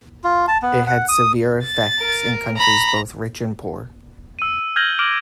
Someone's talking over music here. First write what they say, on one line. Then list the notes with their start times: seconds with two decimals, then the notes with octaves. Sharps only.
It had severe effects in countries both rich and poor.
0.24 F4
0.48 A5
0.62 B3
0.87 F#5
1.09 D#6
1.64 A6
1.98 A#4
2.57 A#5 B5
4.39 E6 D#7
4.76 F6 G6 G#6 A#6 F#7 G7
4.99 D6 F6 D7 F#7